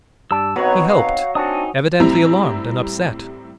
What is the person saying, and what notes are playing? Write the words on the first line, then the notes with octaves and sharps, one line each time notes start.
He helped, evidently alarmed and upset.
G2 G3 G4 A5 E6
B2 F#3 B3 C4 D#4 B4 C#5 C#6
F5
C4 D4 D#4 F#4 G#5 D#6
A2 G3 C4 E4 A#5